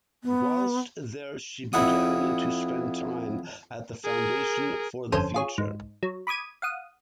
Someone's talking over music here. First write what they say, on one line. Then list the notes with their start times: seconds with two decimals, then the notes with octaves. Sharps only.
Whilst there she began to spend time at the Foundation for the Future.
0.23 B3
1.73 F2 E4 F#5 D#6
4.05 G#4 A#4
5.12 G1 F2 C#4 A4 C5 D#7
5.34 F4 G#4 C#5
5.58 G#2
6.03 F#3
6.27 B5 D6 D#6 G#6 D#7
6.62 F5 F#5 D#6